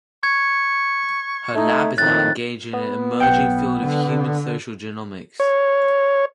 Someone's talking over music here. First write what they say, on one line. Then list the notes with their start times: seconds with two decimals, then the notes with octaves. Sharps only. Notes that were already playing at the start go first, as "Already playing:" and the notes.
Her lab is now engaged in an emerging field of human social genomics.
0.23 C#6 G#6
1.55 A3 D#4
1.98 F2 A2 D#3 F#6 A6
2.73 B3
3.20 B1 F#5 G5
3.82 D3
5.40 C#5